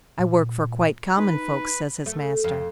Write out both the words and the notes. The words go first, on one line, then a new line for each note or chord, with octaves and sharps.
I work for quite common folks,' says his master.
A#2
D#4 B4
A3
F2